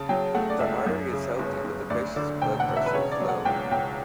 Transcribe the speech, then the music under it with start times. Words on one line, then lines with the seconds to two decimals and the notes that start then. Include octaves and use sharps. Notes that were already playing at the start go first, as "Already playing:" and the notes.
The artery is healthy but the patient's blood pressure is low.
Already playing: C#3 A5
0.09 F#3 G5
0.35 A3 F#5
0.50 D5
0.60 C#2 E5
0.86 F#2
1.13 C#3
1.39 G1
1.64 G1
1.90 D2 D5
2.16 D3 D5
2.42 E1 G5
2.60 F#5
2.68 E1
2.76 E5
2.86 B4
2.94 C#3 C#5
3.12 D5
3.20 F#3
3.28 F#5
3.45 C#2 G5
3.71 C#2 G5